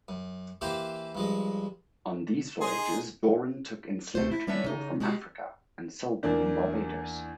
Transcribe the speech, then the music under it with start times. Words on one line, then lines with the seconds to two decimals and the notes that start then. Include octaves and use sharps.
On these voyages Doran took enslaved people from Africa and sold them in Barbados.
0.08 F#2
0.61 E3 A#3 E4 G4 C5
1.15 G2 F3 G#3
2.61 D#4 G#4 C6
4.15 D2 A3 C5
4.31 E4
4.47 G3 B3 C#4 D4 C#5 E5
4.64 C#3 D#4
5.00 G#3 C4 F#4 G4
6.23 E2 A#3 D4